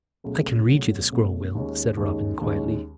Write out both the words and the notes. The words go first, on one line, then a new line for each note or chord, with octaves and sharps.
"I can read you the scroll, Will," said Robin, quietly.
C#2 B2 F#3 A3
C#2 B2 F#3 A3
C#2 B2 F#3 A3
D#2 D#3 G#3 C#4
D#2 D#3 G#3 C#4
D#2 D#3 G#3 C#4